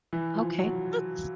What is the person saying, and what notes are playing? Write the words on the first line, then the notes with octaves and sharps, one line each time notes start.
Okay, that's
E3
F3
F#3